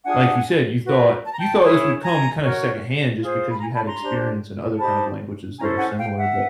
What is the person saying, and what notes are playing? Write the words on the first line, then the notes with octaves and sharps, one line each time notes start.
like you said, you thought you thought this would come kinda secondhand just because you had experience in other kind of languages that are similar, but
D4 F4 G#4 F#5 G#5
F#4 B4
A5
A#5
G5 A5
E4 G#4 C#5
G#5 A#5
F#4 A#4 C#5
F4 G#4 C5
B5
G#5 A#5
A5 B5
A#5 C6
D4 G4 C5
D#4 G4 C5 A5 B5
C#4 E4 A4 C5 G#5 A#5
F#5 G#5
F5 G5
E5 F#5